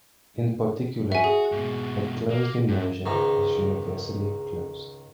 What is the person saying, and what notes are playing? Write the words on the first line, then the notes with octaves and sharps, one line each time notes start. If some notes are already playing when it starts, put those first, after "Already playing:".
In particular, a closed immersion is universally closed.
F#4 E5 G#5
G#4
G#2 B2
A#3
G2
C#2 G#2 D#3